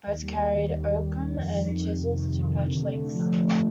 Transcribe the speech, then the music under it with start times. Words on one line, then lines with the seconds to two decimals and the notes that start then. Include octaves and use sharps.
Boats carried oakum and chisels to patch leaks.
0.07 D#2
0.22 G3
0.38 D#2
0.54 D#3
0.71 D#2
0.86 G3
1.04 D#2
1.20 D#3
1.35 F2
1.51 D#3
1.67 F2
1.84 C3
2.01 F2
2.16 D#3
2.33 F2
2.48 C3
2.66 D3
2.81 A3
2.97 D3
3.13 F3
3.30 D3
3.46 A3